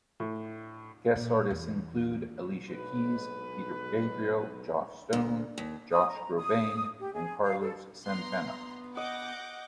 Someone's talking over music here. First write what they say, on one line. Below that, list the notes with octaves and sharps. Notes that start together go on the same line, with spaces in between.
Guests artists include Alicia Keys, Peter Gabriel, Joss Stone, Josh Groban and Carlos Santana.
A2
A#2
E2
B1 G#2 B4
D2
D#2
D#6
A#5
D#6
G4
G#4
F5
A4
B3 A#5 C6
D#5 F#5 D6 G6 A#6